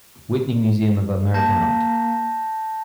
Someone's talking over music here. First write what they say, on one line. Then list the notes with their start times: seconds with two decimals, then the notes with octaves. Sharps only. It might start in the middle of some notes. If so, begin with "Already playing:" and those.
Whitney Museum of American Art.
1.34 A#3 A5 G6 A#6